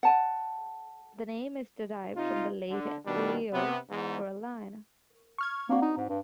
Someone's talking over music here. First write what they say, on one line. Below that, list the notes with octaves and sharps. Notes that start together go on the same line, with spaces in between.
The name is derived from the Latin "leo" for "lion".
F#5 A5
C3 D#4 F4
D3
B2 D#3 G3 D4
C3 B3
E2 G#2
C#6 F6 G#6
A#3 C4 D4 F#4
D#4
G#2
G2